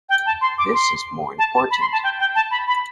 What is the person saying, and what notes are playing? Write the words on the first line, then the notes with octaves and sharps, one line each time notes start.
This is more important.
G5
A5
C6
D6
C6
A5
A5
B5
C6
A5
G5
G5
A5
B5
B5